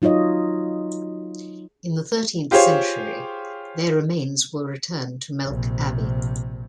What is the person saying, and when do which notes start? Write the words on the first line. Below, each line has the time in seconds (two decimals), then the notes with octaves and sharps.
In the thirteenth century, their remains were returned to Melk Abbey.
0.02 F#3 D#4 F4 C#5 D#5
2.51 F4 G4 G#4 C5 C#5 F5
5.47 A#1 C3